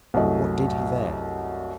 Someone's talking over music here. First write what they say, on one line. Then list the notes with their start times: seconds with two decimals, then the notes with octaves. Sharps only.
What did he there?
0.14 C2 F#2 A3 D#5